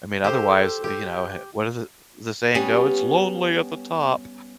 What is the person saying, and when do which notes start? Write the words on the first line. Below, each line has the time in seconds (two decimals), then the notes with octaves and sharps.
I mean, otherwise, you know, he what is it the saying go, "It's lonely at the top."
0.24 G4 A4 C5
0.84 G4
2.55 G3 B3 C#4